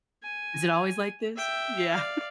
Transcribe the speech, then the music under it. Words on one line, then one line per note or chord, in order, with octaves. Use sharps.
Is it always like this? Yeah.
G#5
E5 G5
D5 F5